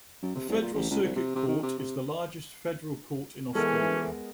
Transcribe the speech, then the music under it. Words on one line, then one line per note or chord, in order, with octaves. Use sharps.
The Federal Circuit Court is the largest federal court in Australia.
F#2
C3
C2
A#2
A1
C#2
C2
C3
C3
D#3
C3
C3
E3 G#3 B3 C#4 A4 A#4